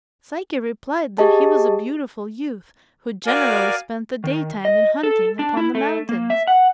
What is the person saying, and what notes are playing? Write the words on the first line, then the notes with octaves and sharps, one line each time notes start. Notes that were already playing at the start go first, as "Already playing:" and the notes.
Psyche replied that he was a beautiful youth, who generally spent the daytime in hunting upon the mountains.
G4 G#4 D#5 A5
F#4 A#4 D5 F5 G#5
D#3
D#5
A4
D4
E4
A3
A#3
E5
F#5